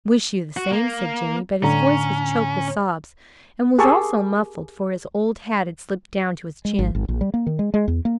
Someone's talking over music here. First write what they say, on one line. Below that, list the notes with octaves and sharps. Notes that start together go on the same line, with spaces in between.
"Wish you the same," said Jimmy, but his voice was choked with sobs, and was also muffled, for his old hat had slipped down to his chin.
F#4
A#3
A2 D3 C#4 A#5
G4 G#4 A#4 A5 C#6 E6
G#3
G#1
G#1
A#1
G3
A#3
D#3
G#3
G#3
E2
A#3